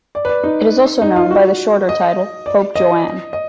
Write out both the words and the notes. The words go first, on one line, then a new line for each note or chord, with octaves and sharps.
It is also known by the shorter title Pope Joan.
D5
B4
D5
D#4
D#4
F4
F#4
D#5
D5
D#5
D#5